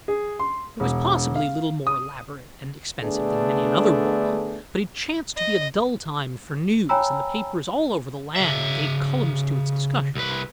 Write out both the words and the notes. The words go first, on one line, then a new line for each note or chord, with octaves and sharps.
It was possibly little more elaborate and expensive than many another ball, but it chanced to be a dull time for news and the papers all over the land gave columns to its discussion.
G#4
C6
E1
F5
D#6
D3 A3 B3 D4 G#4
D#5
C#5 G5 G#5 A#5 B5 E6
C#3 E5
C2 B4